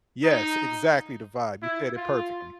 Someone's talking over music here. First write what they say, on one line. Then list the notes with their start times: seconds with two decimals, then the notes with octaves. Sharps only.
Yes, exactly the vibe, you said it perfectly.
0.24 D#4
1.62 E4
1.97 F4